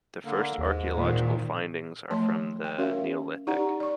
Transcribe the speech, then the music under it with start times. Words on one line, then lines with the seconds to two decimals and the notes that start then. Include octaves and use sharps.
The first archaeological findings are from the Neolithic.
0.25 D3 A#3
0.58 D#2 G#2
0.95 A#2 D#3
2.11 F3 A3 C#5 A5 C6
2.64 G5
2.78 C#4 F#4 A#4 C#5 E5 F5
3.47 D#4 G4 D5 F#5 A#5
3.80 D5 C#6